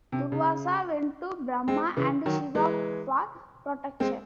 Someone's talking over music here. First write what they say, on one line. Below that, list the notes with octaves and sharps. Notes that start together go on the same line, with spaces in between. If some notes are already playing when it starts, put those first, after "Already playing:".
Durvasa went to Brahma and Shiva for protection.
C3
C#3
G#3 C4
C#3 E3
D#3 F#3
E3 G#3
G#3 C4